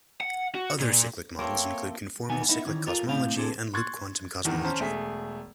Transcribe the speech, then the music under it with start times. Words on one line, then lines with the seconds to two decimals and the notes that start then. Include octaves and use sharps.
Other cyclic models include Conformal cyclic cosmology and Loop quantum cosmology.
0.21 F#5
0.55 F#4
0.80 A#2
1.39 A3 A#3 C4 F4 C#5 G5 A5 C6
2.29 E2 D#3 B3 G#5
2.49 B3 D#4 E4
2.66 D#3 E3 C#4
2.87 F4 A4 A#4
3.08 A2 C4 F5
3.36 C4 D4 G#4 A4 C5
3.74 C6 C#6 F#6 G#6 A6
4.45 E2 A2 D#3
4.64 C#4 C5 A5 A#5 F6
4.80 E1 A3 G#4 B6